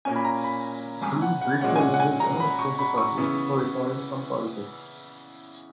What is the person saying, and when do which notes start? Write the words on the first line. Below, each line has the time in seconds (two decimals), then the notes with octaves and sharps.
He briefly led his own splinter party before retiring from politics.
0.05 A#2 A#3 C#4 G#5
0.16 B5
0.25 A#5
0.44 B5
1.03 G#5
1.22 F#5
1.41 F#5
1.61 A#2 G#3 C#4 F#5
1.76 G#5
1.81 F#5
1.94 F#5
2.00 G#5
2.20 A#5
2.40 B5
2.59 C#6
2.79 B5
2.98 C#6
3.18 C#3 E3 B3